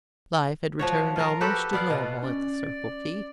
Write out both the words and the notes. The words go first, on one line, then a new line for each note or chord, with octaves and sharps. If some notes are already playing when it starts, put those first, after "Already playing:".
Life had returned almost to normal at the Circle T.
F3 F#4 C#5
F4 A#4
F#4 G4 A4 B4
B3 D5 F5 F#5
B2 F4
C#4 D5